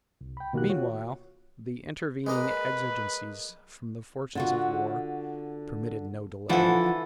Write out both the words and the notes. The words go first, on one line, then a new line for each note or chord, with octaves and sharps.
Meanwhile the intervening exigencies from the fortunes of war permitted no delay.
C2
G5 B5
B2 D#3 A#3 F#4 G4 F#6
F4 F#4 C#5
G#3 A#3 B4 D#5
D3 F4 F#4
D3 E3 F3 A4 F#5